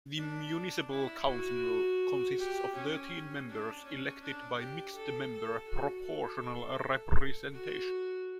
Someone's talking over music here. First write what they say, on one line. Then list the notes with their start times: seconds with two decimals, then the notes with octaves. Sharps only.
The municipal council consists of thirteen members elected by mixed-member proportional representation.
0.17 D4
0.91 E4
1.27 F#4
2.38 G4
2.75 C#4
3.49 D4
3.85 C#4
4.22 D4
4.59 G4
4.95 A4
5.32 A4
5.69 F#4
6.05 A4
7.53 F#4